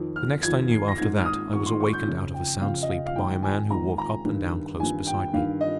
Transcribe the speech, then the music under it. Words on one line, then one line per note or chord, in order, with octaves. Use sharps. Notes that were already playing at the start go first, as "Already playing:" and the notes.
The next I knew after that I was awakened out of a sound sleep by a man who walked up and down close beside me.
Already playing: F2 D#3
F6
F2 D#3 G#6
C7
A#6
G#2 D#3 G#6
F6
D#6
G#2 D#3 C#6
C6
C#6
G6
F2 C#3
G5
F2 C#3 F5
D#5
F5
F5
G#2 D#3 G5
G#5
G#2 D#3 A#5
A#5
G2 D#3
G2 D#3 G#5
G5
G2 D#3 F5
D#5